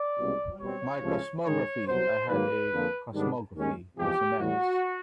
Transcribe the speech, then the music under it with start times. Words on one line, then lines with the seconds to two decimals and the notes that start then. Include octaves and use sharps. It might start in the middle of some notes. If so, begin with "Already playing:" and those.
My cosmography, I had a cosmography, was immense.
Already playing: D5
0.18 C2 B2 G#3 C#4
0.61 B2 G3 C4 C#5
1.02 C#2 C3 F3 A3 C#4
1.45 G#2 D#3 G#3 C#5
1.86 C2 B2 F#3 C5
2.29 G#2 D#3 F#3 A#3 B4
2.71 F2 D3 F3 A#3
3.14 G#2 D#3 G3 B3 D4
3.55 D#2 D#3 G#3 C#4
3.97 E2 C3 F3 G#3 G4
4.39 A2 E3 G3 F#4